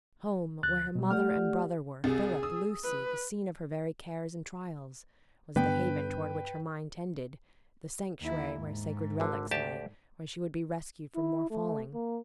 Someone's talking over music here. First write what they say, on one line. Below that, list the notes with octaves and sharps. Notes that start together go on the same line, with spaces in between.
Home--where her mother and brother were, Philip, Lucy, the scene of her very cares and trials--was the haven toward which her mind tended; the sanctuary where sacred relics lay, where she would be rescued from more falling.
D2 F#6 A6
B2 G3
A3 G4 D5 F#5 F6
C2 C3 G#4 A6
D#6 E6
B4
G2 D3 B3 B4 G5
D#2 E4
G#2
G#1 D3
D2 G4 A5
E4
A3
A#3